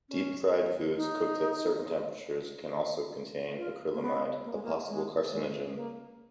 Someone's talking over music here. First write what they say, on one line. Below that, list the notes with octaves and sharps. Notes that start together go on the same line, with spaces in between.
Deep-fried foods cooked at certain temperatures can also contain acrylamide, a possible carcinogen.
C#4
D#4
F4
A#3
B3
A#3
G#3
A#3
G#3
G#3
A#3